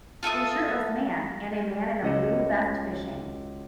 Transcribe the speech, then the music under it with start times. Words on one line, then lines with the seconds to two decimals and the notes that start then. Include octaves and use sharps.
A shirtless man and a man in a blue vest fishing.
0.23 F4 A4 E5 D#6
2.02 C#2 F#4 D#5 C#7 E7